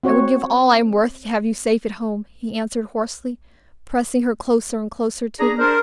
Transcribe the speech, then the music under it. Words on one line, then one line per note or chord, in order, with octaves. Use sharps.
"I would give all I am worth to have you safe at home," he answered hoarsely, pressing her closer and closer to him.
C4 F#4 C#5
D4 G#4 A#5
D4 A#4 C5